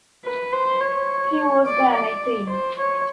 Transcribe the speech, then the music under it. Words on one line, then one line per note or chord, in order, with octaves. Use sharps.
He was then eighteen.
B4
C5
C#5
D5
D5
C5
C#5